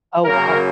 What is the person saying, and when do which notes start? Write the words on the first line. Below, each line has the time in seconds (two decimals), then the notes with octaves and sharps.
Oh, wow.
0.24 F#2 C#3 F#3 A#3 A#4